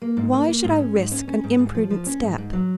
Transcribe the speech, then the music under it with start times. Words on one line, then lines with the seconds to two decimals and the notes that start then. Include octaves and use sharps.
Why should I risk an imprudent step?
0.02 A#3
0.17 G#2
0.33 A#3
0.48 A#3
0.64 G#2
0.80 C#4
0.96 G#2
1.12 C#4
1.28 C#4
1.44 G#2
1.59 G#2
1.75 F3
1.90 F3
2.06 C#4
2.23 G#2
2.38 G#2
2.53 F#3